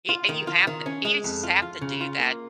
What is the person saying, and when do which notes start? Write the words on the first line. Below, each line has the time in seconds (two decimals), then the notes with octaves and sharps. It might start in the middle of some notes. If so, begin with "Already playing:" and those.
a and you have to you just have to do that
0.09 F4
0.29 D#3
0.47 F4
0.67 D#3
0.86 C#4
1.05 G#3
1.24 F2
1.43 F4
1.62 F4
1.81 C#3
2.01 F4
2.20 A#3